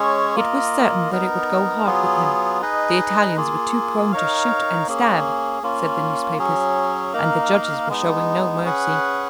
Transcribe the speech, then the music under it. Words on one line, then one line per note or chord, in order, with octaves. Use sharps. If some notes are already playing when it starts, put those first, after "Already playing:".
It was certain that it would go hard with him. The Italians were too prone to shoot and stab, said the newspapers, and the judges were showing no mercy.
Already playing: G#3 C#4 G#4 C#5
A#3 F4 A#4 D#5
B3 D#4 A#4
F#3 B3 F4 G#4
D#4 G#4 B4 D#5
A#3 F4 G#4
D#4 A#4 C#5 F5
A#3 C#4 G#4
A#3 C#4 F4
F#3 C#4 G#4
A#3 D#4 A#4 F5
G#3 B3 D#4
C#4 G#4 B4 F#5